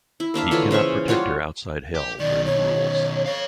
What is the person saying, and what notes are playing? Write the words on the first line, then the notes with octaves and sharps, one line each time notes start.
He cannot protect her outside Hell, where he rules.
E4
A#3 D4 E5 F5
D3 E3 F4 C#5
C#3 C5 E5 C#6
G3 F4 C#5 F#5
G4
B2 D#3 D5
C#5
A4 C#5 F5